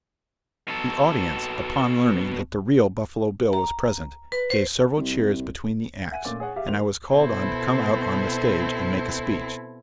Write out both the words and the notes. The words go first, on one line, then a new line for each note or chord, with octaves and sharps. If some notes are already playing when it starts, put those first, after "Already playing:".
The audience, upon learning that the real "Buffalo Bill" was present, gave several cheers between the acts, and I was called on to come out on the stage and make a speech.
B2 A4
A#5
B4
C5
C2
E5 F#5 G#5 D#7
A#2 A3 C#4 D6 A6
G#4 C#5 F#5
G4 E5 F5
D#3 A#3 C5 F7
B2 C4 E4 A4